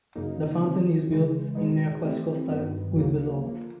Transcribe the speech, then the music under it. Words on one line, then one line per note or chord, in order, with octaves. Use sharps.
The fountain is built in Neoclassical style with basalt.
F#2 C#3 F#3 A#3 D#4
C3 D#3 F#3
E2 C#3 E3 G#3
E2 B2 G#3 B3 D#4
E3 A3 C4 E4 G4
G2 D#3 F#3 B3
D2 C#3 F#3 A#3
D3 F3 A#3